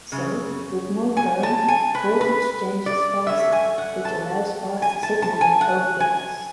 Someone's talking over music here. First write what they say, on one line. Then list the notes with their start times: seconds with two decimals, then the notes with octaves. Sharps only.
So with more current, voltage changes faster, which allows faster signaling over the bus.
0.12 F#2 C#3
1.17 G#5
1.43 A5
1.68 G#5
1.95 B4
2.21 B4
2.86 D5
3.26 F#2 D3 A3 C#4 E5
3.52 G#5
3.78 F#5
4.05 A5
4.82 G#5
5.03 A5
5.22 A5
5.41 G#5
5.61 F#5
6.00 G#5